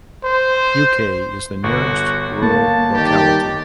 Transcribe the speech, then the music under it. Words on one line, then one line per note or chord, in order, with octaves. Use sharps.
Uk is the nearest rural locality.
C5
G1 F#4
A#3 A5
D#3 G3 G4